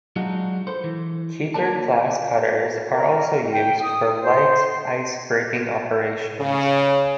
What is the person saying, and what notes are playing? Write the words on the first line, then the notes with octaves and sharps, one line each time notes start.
Keeper-class cutters are also used for light ice breaking operations.
F#3 G#3 D4 D#4 F4 F#4
A4 B4 C5
E3
A#3 F4 A#4 B4 D5 A5
A#4
G5
D#6
C5
C#3